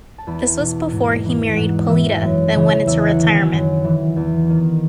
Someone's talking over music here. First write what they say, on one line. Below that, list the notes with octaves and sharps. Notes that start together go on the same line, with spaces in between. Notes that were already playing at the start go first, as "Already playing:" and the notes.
This was before he married Polita then went into retirement.
A5
E2 B5
B2
G#2
E3
G#2 F#5
E3 E5
F#2
C#3 E3
E2 E5
F#5
D#3
G#5
F#2
E3
E2
D#3